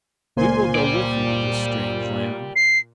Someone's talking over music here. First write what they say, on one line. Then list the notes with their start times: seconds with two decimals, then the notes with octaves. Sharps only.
"We will go with you to this strange land."
0.37 C#2 A#2 A#3 C5 G#5 C6
0.75 A#2 G4 D5
2.55 C7